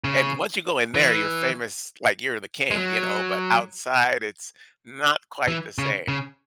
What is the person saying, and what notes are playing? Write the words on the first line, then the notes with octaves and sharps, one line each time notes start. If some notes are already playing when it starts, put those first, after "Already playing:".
And once you go in there, you're famous like you're the king, you know? But outside, it's not quite the same.
C#3
E3
G#3
F#3
E3
C#3
C#3